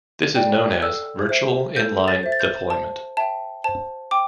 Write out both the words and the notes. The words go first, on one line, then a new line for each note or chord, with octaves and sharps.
This is known as virtual inline deployment.
D5 G5
A4 E6
C5 E5
A4 G6
A6
C5 E5
A6
G6
C5 A5
E5 G5 A5
C5 A5
G5 D6